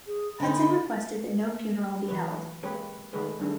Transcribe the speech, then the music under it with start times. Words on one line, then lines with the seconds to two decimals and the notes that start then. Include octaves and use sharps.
Hudson requested that no funeral be held.
0.07 G#4
0.40 D3 D#4 B5
2.08 E3 F#3 B4
2.63 G#3 A#3 C4 G4 B4 C#5
3.13 D#3 G#3 A3 G#4 B4
3.39 D#3 G3 A3 C4 D4 G#4